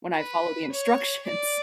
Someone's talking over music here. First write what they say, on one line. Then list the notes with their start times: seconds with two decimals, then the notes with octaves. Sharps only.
when I followed the instructions."
0.16 B4
0.72 C#5
1.27 D5